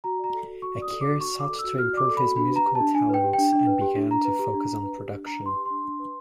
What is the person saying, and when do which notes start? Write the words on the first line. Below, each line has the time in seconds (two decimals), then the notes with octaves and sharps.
Akir sought to improve his musical talent and began to focus on production.
0.04 F#4 A#5
0.19 D5 A#5
0.33 A4
0.48 F#4
0.62 F#4 C#6
0.77 D5
0.82 D#6
0.91 A4
1.01 D6
1.06 F#4
1.21 F#4 C#6
1.35 D5 D6
1.49 A4
1.59 E6
1.64 F#4
1.78 F#4 F6
1.93 D5 D6
2.07 A4
2.17 F#4 B5
2.36 D4 B5
2.51 B4 A#5
2.65 G4
2.75 D4 A5
2.94 D4 G#5
3.09 B4 G5
3.23 G4
3.33 D4 G5
3.53 D4
3.67 B4
3.82 G4
3.96 D4
4.11 D4 A#5
4.25 B4
4.39 G4
4.54 D4
4.69 D4
4.83 B4
4.98 G4
5.12 D4
5.26 D4 A#5
5.41 B4 C6
5.56 G4
5.66 D4 C6
5.85 D4
5.99 B4